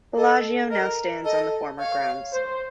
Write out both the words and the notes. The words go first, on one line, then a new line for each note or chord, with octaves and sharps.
Bellagio now stands on the former grounds.
A4 D#5
A#4 D#5
A4 D#5
C#5 F5
C5